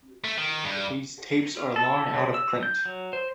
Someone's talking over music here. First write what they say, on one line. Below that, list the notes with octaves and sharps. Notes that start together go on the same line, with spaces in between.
These tapes are long out-of-print.
A3
D#3
G2
A4
C#3
E6
G6
F#3
C5